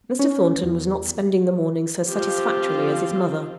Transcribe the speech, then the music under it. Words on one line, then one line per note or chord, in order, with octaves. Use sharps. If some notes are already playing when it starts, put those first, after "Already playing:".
Mr. Thornton was not spending the morning so satisfactorily as his mother.
C#4
E2
F3 C4 F4 G4